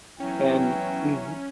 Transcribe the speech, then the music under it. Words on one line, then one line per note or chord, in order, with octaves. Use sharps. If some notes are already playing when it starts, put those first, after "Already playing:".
And mhm.
E3 F#3 B3 C#4 E4 G5